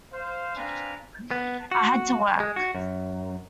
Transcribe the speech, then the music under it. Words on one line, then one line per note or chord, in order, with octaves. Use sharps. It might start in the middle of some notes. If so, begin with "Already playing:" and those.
I had to work.
C5 F5
C4 D4 B4 F5 G#5 A#5
B3
F#4
G#3
F#4
F#2